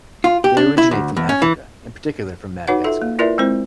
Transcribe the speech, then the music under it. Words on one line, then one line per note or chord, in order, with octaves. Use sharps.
They originate from Africa, in particular from Madagascar.
F4
G4
D4
E4
D2
E2
C#4
E3
D#4 F#4 B4 C#5 F#5
F4 A4 E5
A#3
E4 F4 A#4 B4 D5 E5
G#3 C4 E4 C5